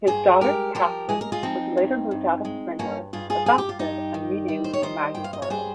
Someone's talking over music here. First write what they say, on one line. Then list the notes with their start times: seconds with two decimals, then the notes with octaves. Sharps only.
His daughter, Katherine, was later moved out of Springwood, adopted, and renamed Maggie Burroughs.
0.07 G2 G#4 C5
0.41 G#3 G4 A#4
0.75 F3 G4 A#4
1.09 G#3 G#4
1.21 A#4
1.32 F4 G#4
1.43 F3 C4 D#4
1.77 G2
2.11 G2
2.45 G#3
2.79 G2 A#3 C#4
3.13 G2 F4 G#4
3.30 F4 G#4
3.46 G2 G#4
3.58 G4
3.69 F4
3.79 G2 D#4 G4
4.14 D#3
4.48 G3
4.64 C5
4.73 C#5
4.82 D#3 C5 D#5
5.15 G2 G5
5.24 F5
5.33 D#5
5.42 C#5
5.50 G3 G#4 C5